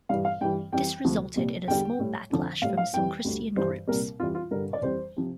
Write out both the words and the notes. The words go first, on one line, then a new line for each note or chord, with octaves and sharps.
This resulted in a small backlash from some Christian groups.
G2 E3 G3 F5
F5
G2 E3 G3 G5
F2 E3 G3 G5
D2 C3 F3
C2 A#2 G3
E2 D3 G3 G5
A2 G3
F2 D3 F3
A2 G3 F5
F5
F2 E3 G3 G5
D2 D3 G3
G2 E3 G3 C5
C2 A#2 G3 A#4
F2 E3 G3 F4
F4
G2 D3 G3 A#4
D5
F2 E3 G3 C5
C3 F3